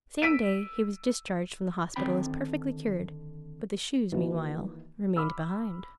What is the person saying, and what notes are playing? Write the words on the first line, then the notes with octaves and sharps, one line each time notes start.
The same day he was discharged from the hospital as perfectly cured; but the Shoes meanwhile remained behind.
E6 B6 D7 D#7
D3 D#3 C4 G5 B5
D#3 E3 A#3 F#4 B4
B5 D6 E6 F6